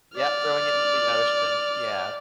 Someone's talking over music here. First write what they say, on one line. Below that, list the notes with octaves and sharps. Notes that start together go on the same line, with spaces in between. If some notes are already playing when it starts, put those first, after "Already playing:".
yep, throwing it into the ocean. Yeah.
D5 F6